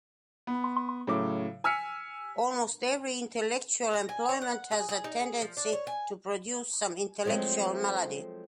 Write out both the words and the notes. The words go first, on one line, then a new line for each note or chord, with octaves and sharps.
Almost every intellectual employment has a tendency to produce some intellectual malady.
B3
A2 C#3 F#3 D6
G#5 E6 F6 B6 C#7
A#5
G#5
C#5
F#5
G#4
G#4
D#4
G#4
F3
D4
C#5
G#5
F3 F#3 G#3 A3 C4